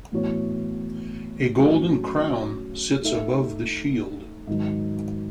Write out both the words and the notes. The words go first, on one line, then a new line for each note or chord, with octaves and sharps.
A golden crown sits above the shield.
A2 E3 B3 F#4 C#5
A2 F#3 C#4 F#4
A3 D#4 A4 E5
G#2 D#3 F#3